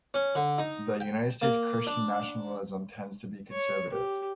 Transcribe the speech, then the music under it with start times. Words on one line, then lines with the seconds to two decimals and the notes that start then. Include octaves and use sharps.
In the United States, Christian nationalism tends to be conservative.
0.14 C#4
0.35 D3
0.58 D#4
1.00 G5
1.42 A#3
1.87 D4
3.52 C#5
3.90 G4